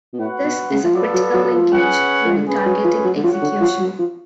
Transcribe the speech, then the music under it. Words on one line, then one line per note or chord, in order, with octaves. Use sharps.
This is a critical linkage during targeting execution.
B2
A2 F#4 B4 F#5
B2
C#3
F3
F#3 B3 F4 A4 D5
F#3
F#3
F#3
F3
C#4 G#4 B4 F#5
F3
D3
C#3 C#4 G#4 B4
F#3
F3
F#3
D3
F3 F#4 C#5 F#5
D3
F3
F#3
F3